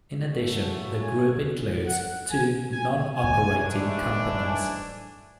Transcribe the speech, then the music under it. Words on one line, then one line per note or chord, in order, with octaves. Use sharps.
In addition, the group includes two non-operating companies.
C#3 F#3 A3
A5
G#5
F#5
G#5
G#5
G#5
G#2 E3 A3 D4
G#5